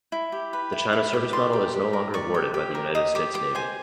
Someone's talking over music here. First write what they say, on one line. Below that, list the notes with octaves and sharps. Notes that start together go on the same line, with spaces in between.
The China Service Medal is no longer awarded by the United States Navy.
E4
G4
B4
E4
E4
G4
D5 C6
G4
G4
A#4
D5 C#6
G4
G4
A#4
D#5 D#6
G4 D6
G4 D6
C5 G#5